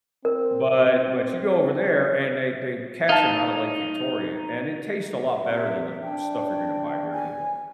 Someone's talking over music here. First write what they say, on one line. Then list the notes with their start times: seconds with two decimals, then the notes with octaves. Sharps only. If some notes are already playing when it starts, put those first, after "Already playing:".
But but you go over there and they they catch 'em outta Lake Victoria and it tastes a lot better than the stuff you're gonna buy here anyway.
0.25 C4 A#4
3.09 D#4 F5 A5
5.44 C3 E5
6.02 D4 G5
7.11 G#5